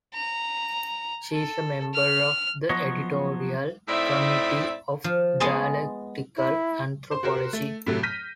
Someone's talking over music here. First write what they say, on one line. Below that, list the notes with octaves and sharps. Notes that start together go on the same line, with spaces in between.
She is a member of the editorial committee of "Dialectical Anthropology".
A#5
A4
F6
F3 F#3 B3 C#5 D#5
A2 C4 D#4 E4 D5 E5
F3
G#3 B3 G#4 D#5 A5 C6
E4
C5 C6
F#4 G4 A#4 C5
A3
A2 C3 F#3 A3
F6 G6 A#6 B6 D#7